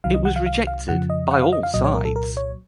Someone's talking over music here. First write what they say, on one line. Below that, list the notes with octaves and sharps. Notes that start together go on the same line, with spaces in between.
It was rejected by all sides.
C2 C3 D#3 F#3 F5
D#5
F#5
F5
F5
F5
F2 C#3 F3 F#5
D#5
F#5
F5
D#5
F5
C2 A#2 F#3 D#5
C#5
A#4
A4
A#4
C#5